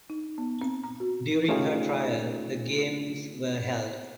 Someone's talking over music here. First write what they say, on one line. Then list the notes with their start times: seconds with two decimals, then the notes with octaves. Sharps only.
During her trial, the Games were held.
0.10 D#4
0.38 B3
0.61 C4
0.84 A#5
1.00 F#4
1.48 A3 C#4 D#4 F4 G4 G#4